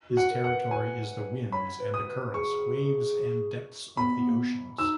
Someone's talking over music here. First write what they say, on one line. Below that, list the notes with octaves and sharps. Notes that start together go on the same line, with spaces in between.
His territory is the winds and the currents, waves and depths of the oceans.
F#4
F#5
A#4
F#5
B4
B4 G#5
C#5 B5
B4
D#6
B4
G#4 C#6
B3 B5
B3
A#3
B3
D#4 E6